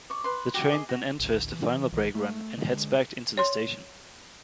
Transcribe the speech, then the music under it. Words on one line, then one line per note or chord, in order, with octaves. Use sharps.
The train then enters the final brake run, and heads back into the station.
D5 C#6
B4 C6
F#4 G4 G5
G#4 D#5 D6
F#4
A1 D2
E3
A#1 D#3
A3
D3 G#3
C#5 C6